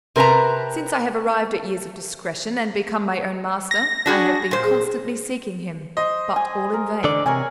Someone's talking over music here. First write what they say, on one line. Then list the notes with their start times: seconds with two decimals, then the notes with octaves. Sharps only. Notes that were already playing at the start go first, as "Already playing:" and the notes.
Since I have arrived at years of discretion and become my own master, I have been constantly seeking him, but all in vain.
0.16 C3 A#4 B4 A5 A#5
3.71 A#6
4.06 D4 F#4 G#4
4.51 A#2 C5
4.64 G#4
5.97 C5 D#5
6.36 G#5
6.73 A#4
7.04 D3 D5
7.26 C3 A#4 C#5 G#5